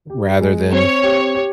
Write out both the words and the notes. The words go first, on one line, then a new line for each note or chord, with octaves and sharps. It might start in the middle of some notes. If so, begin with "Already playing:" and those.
rather than
G4
G#3
C4 C#5
G4
G4